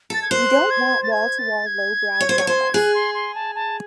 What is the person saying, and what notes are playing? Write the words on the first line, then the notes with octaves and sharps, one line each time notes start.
We don't want wall-to-wall lowbrow dramas!
A4 A6
G#6
C5 F#6
G#6
A6
G#6
A6
G#6
C#5
C5
C#5
C5
G#4 F#6
C6
C6
A5
A5